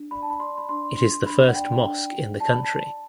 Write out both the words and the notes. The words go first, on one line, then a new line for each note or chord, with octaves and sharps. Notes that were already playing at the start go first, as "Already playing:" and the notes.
It is the first mosque in the country.
Already playing: D4
D5 B5
A5
B5
D5 C6
B5
D4 C6
D4 C6
D4 B5
F#5
D5 G5
D4
D4
D5 A5
B5
A5
D5